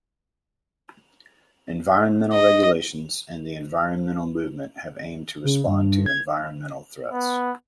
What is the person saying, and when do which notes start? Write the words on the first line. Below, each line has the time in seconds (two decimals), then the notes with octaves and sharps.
Environmental regulations and the environmental movement have aimed to respond to environmental threats.
2.33 D#5
5.44 C#3
5.67 G2
6.06 G#6
7.12 B3